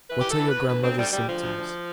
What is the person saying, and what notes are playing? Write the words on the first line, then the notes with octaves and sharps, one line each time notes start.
"What are your grandmother's symptoms?"
E3 B4
E3 G4
A4
E3
B4
E3
D2 B4
D2 C4
D2 G3
D2 G3
D2 F3
D2
D2